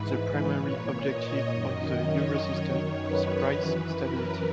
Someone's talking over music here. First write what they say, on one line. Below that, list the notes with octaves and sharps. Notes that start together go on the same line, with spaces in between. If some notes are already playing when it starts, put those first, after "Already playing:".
The primary objective of the Eurosystem is price stability.
Already playing: G#2 E3 B4
A#2 C#5
D#5
F#2 D#3 D#5
C#5
D#3
F#2
B4
F#2 E3
A#4